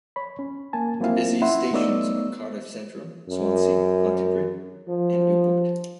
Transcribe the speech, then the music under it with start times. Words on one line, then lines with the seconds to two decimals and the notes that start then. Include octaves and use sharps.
The busiest stations are Cardiff Central, Swansea, Pontypridd, and Newport.
0.16 C#5 B5
0.39 C#4
0.73 A#3 G#5 A5
1.00 F#3 A#3 C4 E4 F5
1.41 C#4 E4 E5 F#5 C6
1.73 A3 B3 D#4 C#5 D5 E6
3.29 F#2
4.88 F3